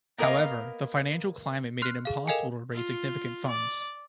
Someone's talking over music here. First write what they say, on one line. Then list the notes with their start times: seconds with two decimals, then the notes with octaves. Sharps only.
However, the financial climate made it impossible to raise significant funds.
0.18 A#3 B3 A#4 B4 D#5 F5
1.82 C6 F6 F#6 C7
2.05 G#4 F5
2.28 A4 A#4 D#5 F5 G5 G#5
2.72 F4
3.48 D5